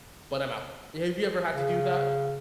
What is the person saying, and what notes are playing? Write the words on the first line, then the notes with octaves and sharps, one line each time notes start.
but I'm out." Have you ever had to do that?
C#3